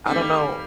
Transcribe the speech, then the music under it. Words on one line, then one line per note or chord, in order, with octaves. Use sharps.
I don't know
D#3 G3 A3 A#3 C4 D#4